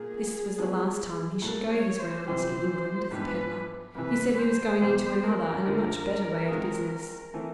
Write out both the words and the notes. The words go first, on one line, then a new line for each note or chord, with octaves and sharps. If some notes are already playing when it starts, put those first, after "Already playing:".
This was the last time he should go his rounds in England as a pedlar; he said he was going into another and a much better way of business.
Already playing: A#2 A#3 F4 G#4
F3 G#3 B3
A2 F#3 A#3 A4
C#5
C5
C3 E3 G3 C5
G#2 E3 G3 B3 D4 B4
F2 C3 E3 B4
C5
E2 B2 G3 C5
A#4
F#2 D3 F3 A#3
D#3 G#3 C4 F4 G#4
E3 A3 C4